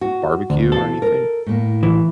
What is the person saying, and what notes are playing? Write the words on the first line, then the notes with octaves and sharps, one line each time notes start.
barbecue or anything?
F#4
D2
C3 E3 A4 F5
A#4
A2 A#3
E3